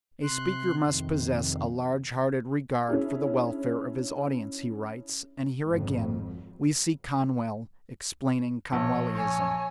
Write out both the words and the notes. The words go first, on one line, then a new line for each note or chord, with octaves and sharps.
"A speaker must possess a large-hearted regard for the welfare of his audience," he writes, and here again we see Conwell explaining Conwellism.
C3 C6 F#6
F2 C3 D#3
C#4 D4 E4 G#4
G#1 F2
A#1 C#5
C#5 G#5